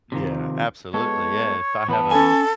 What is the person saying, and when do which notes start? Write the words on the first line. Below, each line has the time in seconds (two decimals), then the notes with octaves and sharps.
Yeah. Absolutely. Yeah. If I have a
0.12 C3 D#3 F3
0.94 G#3 B3 A4 C#5
1.88 E2 B3 B4 A5
2.11 C#4 A4 G#5